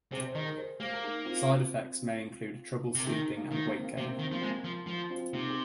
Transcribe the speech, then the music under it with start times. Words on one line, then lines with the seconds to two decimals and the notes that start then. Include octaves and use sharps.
Side effects may include trouble sleeping and weight gain.
0.12 C3 G#4 C5
0.26 C5
0.35 D#3 A#4 D#5
0.47 A#4
0.58 G#4 C5
0.80 A#3 G#4 C5
0.94 A#4
1.03 D#4 G#4
1.25 C4 F4
2.95 C3 A#4
3.06 D#3 D#4 G#4
3.37 A#3 D#4
3.52 D#3
3.67 A#3
3.74 C4
3.83 A#3
3.92 C4
3.97 C3
4.00 A#3
4.08 C4
4.16 D#3 A#3
4.25 C4
4.31 F3 A#3
4.41 G#3 C4
4.49 A#3
4.64 F3
4.87 F3
5.10 C4 F4
5.33 C3 A#3 D#4
5.49 G#4